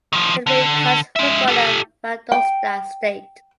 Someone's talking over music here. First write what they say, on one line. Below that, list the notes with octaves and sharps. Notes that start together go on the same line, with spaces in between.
He played college football at Valdosta State.
D#3 F3
D3
G#3 E5
G4 A4
G5